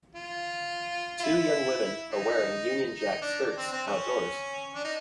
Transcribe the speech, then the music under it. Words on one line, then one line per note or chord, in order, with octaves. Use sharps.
Two young women are wearing Union Jack skirts outdoors.
F4
F4
E4
D#4
D#4
D4
C4
C4
C#4
D4
D#4